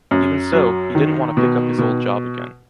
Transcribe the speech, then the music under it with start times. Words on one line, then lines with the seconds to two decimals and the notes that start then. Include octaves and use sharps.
Even so, he didn’t want to pick up his old job again.
0.11 F#2
0.53 F#3
0.95 D#3
1.37 B2
1.78 B2